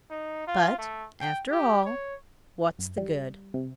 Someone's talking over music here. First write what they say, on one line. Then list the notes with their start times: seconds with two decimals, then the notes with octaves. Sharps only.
But, after all, what's the good?
0.10 D#4
0.47 F4
0.78 A3
1.21 G5
1.51 G4
1.85 C#5
2.79 F#2
2.98 G3
3.54 C3